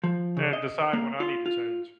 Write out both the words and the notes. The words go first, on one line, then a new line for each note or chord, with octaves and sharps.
and decide when I need to change.
F3
C#3
D#5
A#3
F4
F4